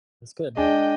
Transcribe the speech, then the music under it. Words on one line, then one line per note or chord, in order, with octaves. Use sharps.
That's good.
G#3 D4 D#5 G5 G#5